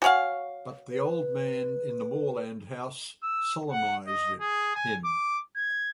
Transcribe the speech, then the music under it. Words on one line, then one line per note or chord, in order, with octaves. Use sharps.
But the old man in the moorland house solemnised him.
F#4 C#5 F5 F#5 G#5
B4
E6
F#5
D#5
G#4
G#5
D6
G#6